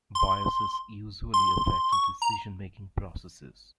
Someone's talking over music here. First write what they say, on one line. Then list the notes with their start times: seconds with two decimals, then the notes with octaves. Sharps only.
Biases usually affect decision-making processes.
0.15 C6
1.34 C6
1.93 C#6
2.22 A#5